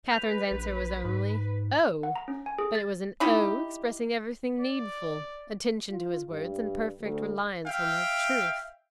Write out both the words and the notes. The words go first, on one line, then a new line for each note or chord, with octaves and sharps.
Catherine's answer was only "Oh!"--but it was an "Oh!" expressing everything needful: attention to his words, and perfect reliance on their truth.
B4 G6 F7
A#1
G#2
F#5
A#5
C#4
G#5
G#4
A6
D#4 E4 G4
D5
F4
G2
D2
E5 F5 G5